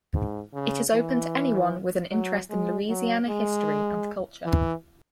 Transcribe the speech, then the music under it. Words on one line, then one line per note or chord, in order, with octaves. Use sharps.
It is open to anyone with an interest in Louisiana history and culture.
G#2
C#3
E3
F#3
G#3
F#3
G#3
E3